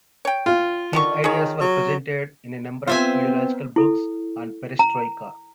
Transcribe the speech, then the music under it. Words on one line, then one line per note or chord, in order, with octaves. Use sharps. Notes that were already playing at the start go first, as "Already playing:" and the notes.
His ideas were presented in a number of ideological books on perestroika.
C#5 G5
F4
D3 D#3 C#6
D#3 G#4 C#5
F#3
B3 C4 F4 C5 E5 G#5
E4 A4
A#5